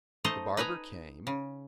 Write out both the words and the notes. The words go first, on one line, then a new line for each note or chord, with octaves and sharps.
The barber came.
A3 D#4 C5 D#5
D#4 B4 G#5 A#5
C#3